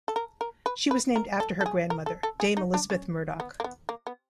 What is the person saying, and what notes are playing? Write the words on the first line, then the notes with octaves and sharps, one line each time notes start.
She was named after her grandmother, Dame Elisabeth Murdoch.
A4
A#4
A#4
B4
B4
A#4
A4
A4
G#4
A#4
A4
A4
G#4
D#4
D4
C#4
B3
A#3
B3
A#3
B3